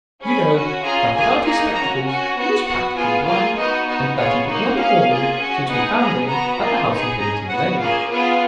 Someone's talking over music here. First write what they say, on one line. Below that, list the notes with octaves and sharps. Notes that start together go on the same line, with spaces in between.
You know that without his spectacles he was practically blind, and that he could not have worn them since we found them at the house in Kennington Lane.
C#4 G#4 B5
C#4 F#4
C#4 F4 G#4 A#5
A#3 F4 G#4 G#5
A#3 D#4 G#4 A#5
F#4 A#5
C#4
C#4 F#4 G#5
B3 F#4
B3 F#4 F#5
B3 F4 G#4 G#5
A#3 F4 G#4 F5
B3 D#4 F#4 D#5
B3 D#4 F#4
B3 F4 G#4 C#5
A#3 D#4 F#4
C#4 G#4 F5
A#3 F4 G#4
C#4 F#4
B3 D#4 G#4 F#5
C#4 G#4 A#5
B3 F#4 A#5
A#3 F4 G#4
B3 D#4 G#4
C#4 G#4 A#5
B3 F#4 F#5
A#3 C#4 F4 G#4 F5
B3 F4 G#4